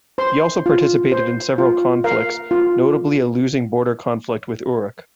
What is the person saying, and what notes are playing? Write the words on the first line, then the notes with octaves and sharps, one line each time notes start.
He also participated in several conflicts, notably a losing border conflict with Uruk.
C5 C6
F4
C5
F4
A#4 F5
F4